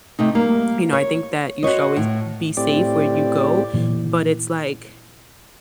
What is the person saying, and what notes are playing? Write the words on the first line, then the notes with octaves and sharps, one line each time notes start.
you know, I think that you should always be safe where you go, but it's like,
C3 A3 D#4
G3 A#3
C#5
F#4 C5 C#5 D#5
A2
A2 C4 G4 D5
A#2 E3